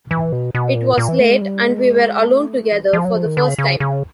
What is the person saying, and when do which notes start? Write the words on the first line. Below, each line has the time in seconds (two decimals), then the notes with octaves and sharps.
It was late, and we were alone together — for the first time.
0.11 E3
0.32 B2
0.55 B2
0.76 A#2
0.98 A#2
1.08 E3
1.19 A3
1.31 G#3
1.41 G3
1.63 G#3
2.28 A3
2.72 E3
2.93 F3
3.05 F#3
3.15 F3
3.26 D#3
3.37 D3
3.48 C#3
3.58 C#3
3.80 C#3